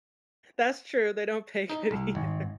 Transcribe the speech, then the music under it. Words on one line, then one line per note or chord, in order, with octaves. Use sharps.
That's true. They don't pay good either.
D#4
C2
G#1